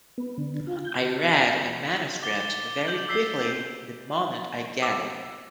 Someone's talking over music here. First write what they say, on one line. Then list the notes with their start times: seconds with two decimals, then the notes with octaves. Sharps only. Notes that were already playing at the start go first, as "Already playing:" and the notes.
I read a manuscript very quickly, the moment I get it.
0.18 B3
0.38 D3
0.67 F4
0.85 G6
2.23 D6 A6 G7
2.87 D6 G6 F#7
3.08 D6 E6 B6 C7 G7
4.82 D6 E6